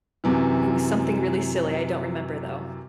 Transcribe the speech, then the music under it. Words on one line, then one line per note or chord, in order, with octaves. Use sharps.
It was something really silly, I don't remember, though.
F#2 C3 E3